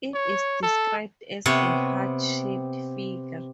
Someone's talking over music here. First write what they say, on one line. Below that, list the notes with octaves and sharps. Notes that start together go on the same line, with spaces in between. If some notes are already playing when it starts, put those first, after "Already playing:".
It is described as a 'heart-shaped' figure.
C#5
A4
C3 B3 C#5